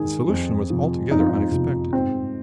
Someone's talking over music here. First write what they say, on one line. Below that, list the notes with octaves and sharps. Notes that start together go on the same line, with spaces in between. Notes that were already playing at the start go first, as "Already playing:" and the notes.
The solution was altogether unexpected.
Already playing: G#2 D#3 G#4
F2
C3 F3
F2 D#4
F4
D#4
C3 F3
G#2 C4